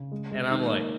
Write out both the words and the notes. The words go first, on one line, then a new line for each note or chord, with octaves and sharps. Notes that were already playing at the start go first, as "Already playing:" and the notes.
and I'm like
Already playing: C#3
G#3
G#3
D#3
A#3